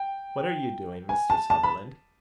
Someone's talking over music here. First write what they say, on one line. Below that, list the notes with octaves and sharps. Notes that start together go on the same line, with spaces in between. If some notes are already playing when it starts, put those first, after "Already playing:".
"What are you doing, Mr. Sutherland?"
Already playing: G5
G#5
A5
A5
B5